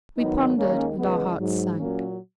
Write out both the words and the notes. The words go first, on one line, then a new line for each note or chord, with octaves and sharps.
We pondered, and our hearts sank.
G#2 D#3 F#3 B3 D#4
D#2 D#3 G#3 A#3 C#4
E2 C#3 G#3 B3
G#2 F#3
A#2 F#3 A#3 C#4